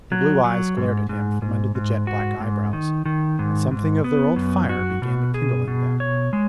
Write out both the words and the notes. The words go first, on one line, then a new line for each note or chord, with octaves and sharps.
The blue eyes glared at him from under the jet-black eyebrows, and something of their old fire began to kindle in them.
F#3
F#3
G#2
G#2
G#2
G#2
F#4
G#2
D#3
D#3
G#2
G#2
B3
F#2
F#4
B2
G#4
B2
C#5
G#3